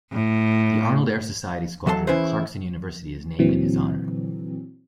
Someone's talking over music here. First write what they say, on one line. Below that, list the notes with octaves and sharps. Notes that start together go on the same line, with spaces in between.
The Arnold Air Society Squadron at Clarkson University is named in his honor.
A2
E3 F#3 A4 D#5 A5 C6
E3 C#4 E4 G#4 B4 C5
A#2 D3 E3 F#3 C4